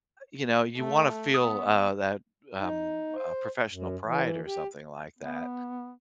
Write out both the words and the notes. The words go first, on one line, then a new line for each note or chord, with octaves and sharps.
you know, you wanna feel, uh, that, um, uh, professional pride or something like that.
A3
B3 D#6
D#4
C5
F#2
E3
G4
B3